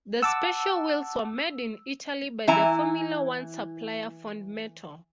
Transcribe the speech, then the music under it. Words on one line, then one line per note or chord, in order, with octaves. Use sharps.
The special wheels were made in Italy by the Formula One supplier Fondmetal.
F#5 A5 D6 E6
E3 E4 G#5 A#5